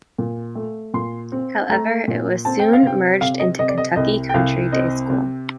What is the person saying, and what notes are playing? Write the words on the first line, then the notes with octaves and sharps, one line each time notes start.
However, it was soon merged into Kentucky Country Day School.
A#2
A3
A#2 C6
C4
A3 A#5
A#2
C4 A5
G5
F5
C3 G5
C3 F5
D#5
C3 D#5
D5
D#5
C2 D#5
G5
C2 F5
C4 D#5
C3